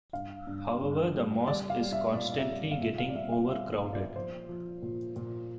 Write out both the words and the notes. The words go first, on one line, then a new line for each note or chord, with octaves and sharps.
However the mosque is constantly getting overcrowded.
G2 F5
G2
G2
G3
G3 D5
F5
G3
E5
A#2 D5
D5
E5
G3
F5
A#2 E5
F5
D5
G3 E5
F5
G3 E5
A#2
D5
F3 C5
F3
A#2
A#2